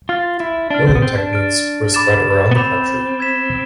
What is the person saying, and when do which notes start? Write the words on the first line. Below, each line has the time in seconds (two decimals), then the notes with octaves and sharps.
Milling techniques were spread around the country.
0.09 F4 C6 F6 A6
0.40 E4
0.70 D4 F6 A6 D7
0.87 C4
0.95 B3
1.02 C4
1.18 D4
1.33 F6 A6 D7
1.94 B5 D6 A6 E7
2.51 B3
2.56 C4 B5 D6 A6 E7
3.18 B5 E6 G#6 B6 E7